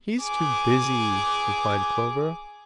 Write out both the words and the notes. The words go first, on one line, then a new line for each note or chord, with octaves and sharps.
"He's too busy," replied Clover.
G#4 D6